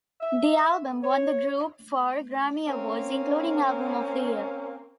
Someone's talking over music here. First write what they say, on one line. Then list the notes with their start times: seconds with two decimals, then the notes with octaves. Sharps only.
The album won the group four Grammy Awards, including Album of the Year.
0.21 E5
1.02 C#5
2.68 A#3 C4 C#4